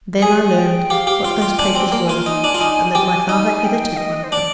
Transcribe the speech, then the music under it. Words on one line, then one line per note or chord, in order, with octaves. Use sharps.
Then I learned what those papers were, and that my father edited one of them.
G#4 G#5
G5
G4 F5
G4
F4 G5
F4
D4 G#5
C4
A#3
F4 G#5
D#4
D4
F4
D#4
G4
D#4
G5
D#5
C5
D4 D5